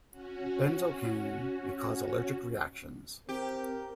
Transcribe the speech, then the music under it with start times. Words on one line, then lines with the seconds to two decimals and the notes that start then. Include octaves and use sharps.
Benzocaine may cause allergic reactions.
0.11 C#4 F#4
3.29 C4 G4 A#4